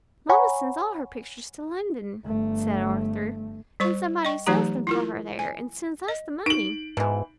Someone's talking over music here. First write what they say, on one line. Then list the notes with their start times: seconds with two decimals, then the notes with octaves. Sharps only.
'Mamma sends all her pictures to London,' said Arthur; 'and somebody sells them for her there, and sends us the money.'
0.29 C#5 F#5 G#5 A#5 B5 C#6
2.25 G1 A3
3.80 G3 C5 C#6
4.25 D#5 G5 C#6
4.47 E3 F#3 A3 D#4 G4 A#5
4.87 E4 F4 A#4
5.39 G#5
6.08 D#5
6.46 D#4 D7 F#7
6.97 G#2 B2 E3